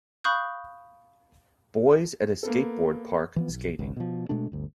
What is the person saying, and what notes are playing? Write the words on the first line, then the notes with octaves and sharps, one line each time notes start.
Boys at a skateboard park skating.
F5 B5 C#6 D#6 F#6 G6
A#3 B3 A4
E3 F3 B3
B1
G#1 C#2
B2 F3
B2 G#3 A3 D4
G1 D2